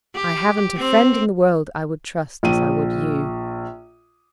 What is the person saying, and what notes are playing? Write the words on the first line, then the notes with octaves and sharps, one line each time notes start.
I haven't a friend in the world I would trust as I would you.
G4
C4
A#1 D#7